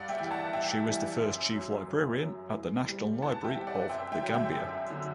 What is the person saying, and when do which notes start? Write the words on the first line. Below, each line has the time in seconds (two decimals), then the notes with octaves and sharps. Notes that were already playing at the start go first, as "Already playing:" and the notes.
She was the first Chief Librarian at the National Library of The Gambia.
Already playing: G2 D5 F#5
0.09 E5 G5
0.20 E3 G3
0.31 F#5 A5
0.53 G2 E5 G5
0.87 E3 G3
1.20 F#2
1.54 F#3
1.88 F#2
2.21 F#3
2.55 E2
2.89 C3 G3
3.22 E2 F#5 A5
3.44 E5 G5
3.56 C3 G3
3.67 D5 F#5
3.89 F#2 E5 G5
4.12 E5 G5
4.23 D3 F#3
4.34 E5 G5
4.57 F#2
4.90 D3 F#3